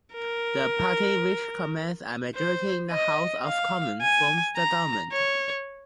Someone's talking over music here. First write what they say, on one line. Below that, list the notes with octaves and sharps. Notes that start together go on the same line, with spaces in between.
The party which commands a majority in the House of Commons forms the government.
A#4
C5
D#5
F5
G#5
A#5
C#5